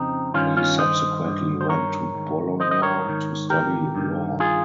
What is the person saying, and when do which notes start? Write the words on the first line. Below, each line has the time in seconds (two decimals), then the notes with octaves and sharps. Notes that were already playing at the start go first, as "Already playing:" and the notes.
He subsequently went to Bologna to study law.
Already playing: F2 C#3 C4 D#4
0.34 G2 D#3 C#4 F4
0.57 C#4 F4
0.79 C5 D#5
1.25 G2 D#3
1.61 C5
1.69 A#4 C#5
2.15 G#2 D#3
2.60 C5 D#5
2.71 D#5
2.82 A#4 C#5
3.05 G#2 D#3
3.50 G4 A#4
3.95 G2 D#3
4.40 F4 G#4